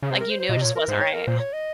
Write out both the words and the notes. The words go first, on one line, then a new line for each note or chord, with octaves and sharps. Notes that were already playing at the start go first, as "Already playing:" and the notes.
like you knew it just wasn't right.
C#3
C3 C5
A#4
C5
C5
A#2 D#5
C3
A#2 C#5
A#4
G#2 C5
C#5
A#4
A#2 C5
C#5
D#5